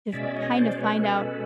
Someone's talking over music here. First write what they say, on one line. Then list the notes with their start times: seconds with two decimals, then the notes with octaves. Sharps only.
if kinda find out
0.12 B2 G#3 C#4 D5 E5
0.34 C#5 D#5
0.56 C5 D5
0.77 B4 C#5
0.99 A4 B4